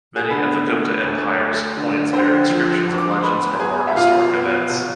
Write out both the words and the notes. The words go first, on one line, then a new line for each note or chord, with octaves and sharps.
Many of the Gupta Empire's coins bear inscriptions of legends or mark historic events.
G#4
A4
D3 B3 B4
A3
D2
A3
D3
D3 C4 C5
F3
D2
D6
C6
B3 B4 B5
B3 G#4 G#5
E5
B2 F4 F5
B3
B2